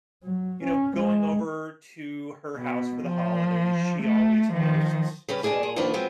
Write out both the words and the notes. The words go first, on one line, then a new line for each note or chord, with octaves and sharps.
you know, going over to her house for the holidays, she always hosts, so
F#3
C#4
G#3
B2
F3
A3
D#3 F3
C#3 G3 C#4 B4
D4 G#4 D5 E5 A5
G#4
D#3 F3 A#3 B3 D4 B4
F3 F#3 G#3 B3 C4